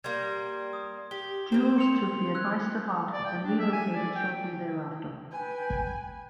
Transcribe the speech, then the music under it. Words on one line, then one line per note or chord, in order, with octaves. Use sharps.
Jules took the advice to heart and relocated shortly thereafter.
G3 A#3 C6 G#6
D#6
G4 G7
A#3 C4
C6 C#7 F7
E6 F#6 G#6
D5
G5
D4
E5
G#5
D5
G5
B4 G5 G#5